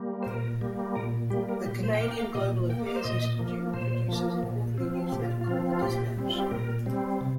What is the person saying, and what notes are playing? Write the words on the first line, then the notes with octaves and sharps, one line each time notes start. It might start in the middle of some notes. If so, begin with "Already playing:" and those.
The Canadian Global Affairs Institute produces a quarterly newsletter called "The Dispatch".
Already playing: G3 A#3
C5
A#2 A#4
G3 A#3
A#2 A#4
G3 A#3 G4
A#4
A#2 G4
C5
G5
A#3 F5
G5
F5
A#2 D#5
A#3 G5
F5
C5
A#2 D#5
F3 A#3
A#2 C5
F3 A#3
A#2
F3 C4
A#2 G4
F4
F4
F3 C4
F4
A#2 G4
G3 C4
F4
G4
A#2 A#4
G3 C4
C3